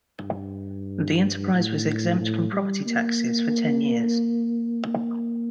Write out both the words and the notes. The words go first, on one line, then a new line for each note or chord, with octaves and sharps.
The enterprise was exempt from property taxes for ten years.
G2
A2
A2
G3
A#3
A#3